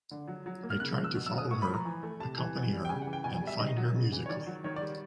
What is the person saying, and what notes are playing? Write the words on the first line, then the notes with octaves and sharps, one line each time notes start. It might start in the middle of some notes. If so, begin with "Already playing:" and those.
I tried to follow her, accompany her, and find her musically.
D3
F#3
F#3
A#3
F6
C#3 F#6
F3
E6
B2
E6
F#3
D#6
A2 C#6
B5
F3
A#5
E3
A3
C3 A5
E3
B2
G3
G5
C#3 G#5
F#5
E3
G5
B2 G#5
G#5
G3
E5
D#3 D#5
F#3
C#3
E3
C#5
D#3 D5
F#3
D#3 C#5
D5
G3